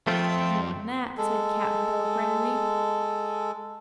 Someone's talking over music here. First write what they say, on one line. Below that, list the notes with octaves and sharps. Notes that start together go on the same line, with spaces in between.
"More'n that," said Cap'n Bill, grimly.
F2 A3 C4 F4 G5
G#3 A4